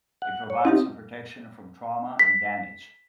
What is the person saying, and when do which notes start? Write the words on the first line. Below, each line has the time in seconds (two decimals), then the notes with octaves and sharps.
It provides some protection from trauma and damage.
0.22 F#5
0.50 C#5
0.65 C4 C#4 D#4 E4 G4
2.19 B6